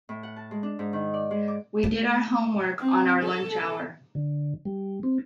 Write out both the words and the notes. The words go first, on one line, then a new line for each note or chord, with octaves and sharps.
We did our homework on our lunch hour.
A2
F#5
A5
G#3
D4
G#2
D#3
D5
G#3
D6
A3
C4
A4
D3
G3
C4